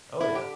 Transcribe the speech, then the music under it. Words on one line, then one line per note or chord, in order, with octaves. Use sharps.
Oh, yeah.
D3 E4
G4